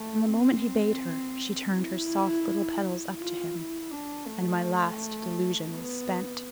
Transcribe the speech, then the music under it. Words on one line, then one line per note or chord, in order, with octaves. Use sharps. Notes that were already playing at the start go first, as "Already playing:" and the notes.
From the moment he bade her, she turned her soft little petals up to him--and my last delusion was spent.
Already playing: A3
C4
E4
F4
E4
D4
A3
B3